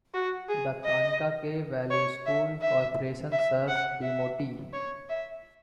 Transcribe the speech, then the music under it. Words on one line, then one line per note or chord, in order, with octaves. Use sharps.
The Kankakee Valley School Corporation serves DeMotte.
F#4
G#4
D#5
C#5
E5
E5
E5
F#5
E5
C#5
E5